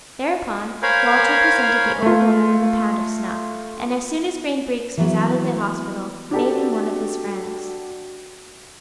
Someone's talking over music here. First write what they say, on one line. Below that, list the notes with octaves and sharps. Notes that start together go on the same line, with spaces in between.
Thereupon Walter presented the old woman with a pound of snuff, and as soon as Green Breeks was out of the hospital made him one of his friends.
A#4 C5 C#5 F5 G#5 B5
A3 F4
E3 F#3 B3
D4 F#4 G4 A4